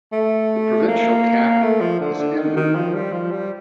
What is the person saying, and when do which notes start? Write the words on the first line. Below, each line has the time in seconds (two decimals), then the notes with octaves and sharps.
The provincial capital was Embu.
0.12 A3
0.88 A#3
1.62 A3
1.80 F3
2.00 D3
2.19 D3
2.37 D#3
2.56 D#3
2.75 F3
2.94 G3
3.12 F3
3.31 G3